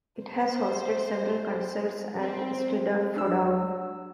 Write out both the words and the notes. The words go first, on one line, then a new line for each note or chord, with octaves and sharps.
It has hosted several concerts and eisteddfodau.
C5
C4
D4 E6